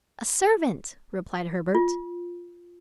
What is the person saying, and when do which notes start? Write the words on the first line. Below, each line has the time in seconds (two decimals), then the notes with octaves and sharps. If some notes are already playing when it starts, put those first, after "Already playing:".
"A servant!" replied Herbert.
1.75 F4